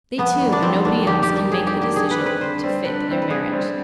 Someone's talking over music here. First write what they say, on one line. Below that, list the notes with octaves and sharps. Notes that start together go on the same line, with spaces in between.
They two, and nobody else, can make the decision to fit their marriage.
F2 B3
D#3 G3
D4
F2 C4
D#3 G3 D4
F2 G4
G4
D#3 G3
F2 G#4
G4
D#3 G3
G4
D3 G#4
B4
G3 C4
B4
D3 C5
G3 C4
D3 B4
G3 C4
B4
D3 G#4
G3 C4